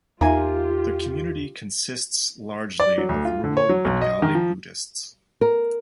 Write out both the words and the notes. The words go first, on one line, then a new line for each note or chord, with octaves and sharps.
The community consists largely of rural Bengali Buddhists.
E2 A#3 D#4 F4 G4 E5 G#5
D5
F#3
D2
F4
D3
C#5
F#3
B1
D#5
D#3
F3
A#4